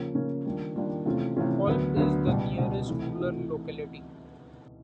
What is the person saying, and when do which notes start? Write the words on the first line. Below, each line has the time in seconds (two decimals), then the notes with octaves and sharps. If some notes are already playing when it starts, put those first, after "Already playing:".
Kolp is the nearest rural locality.
Already playing: C#3 F3 A#3 C#4
0.15 C#3 F3 A#3 C#4
0.45 D#3 G3 A#3 D4 F4
0.76 D#3 G3 A#3 D4 F4
1.06 C3 E3 A3 C#4 F4
1.36 C3 E3 A3 C#4 F4
1.67 D2 D3 F#3 B3
1.97 D2 D3 F#3 B3
2.27 C#2 B2 G3
2.57 C#2 B2 G3
2.87 C3 E3 A3
3.18 C3 E3 A3